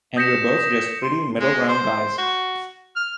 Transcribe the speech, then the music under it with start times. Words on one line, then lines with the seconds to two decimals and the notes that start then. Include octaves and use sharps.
And we're both just pretty middle-ground guys.
0.17 D#6 G6 A#6 B6 C#7 E7
1.03 C6
1.39 G#3
1.68 C5
2.18 F#4
2.96 F6